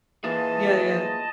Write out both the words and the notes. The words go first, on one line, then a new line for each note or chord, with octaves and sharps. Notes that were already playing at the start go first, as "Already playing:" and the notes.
Yeah, yeah,
E3 A#3 F4 G#4 D#5 A5